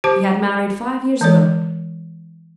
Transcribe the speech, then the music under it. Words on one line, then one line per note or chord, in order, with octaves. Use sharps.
He had married five years ago.
G4 C5 A5 D6
E3 G#3 C#5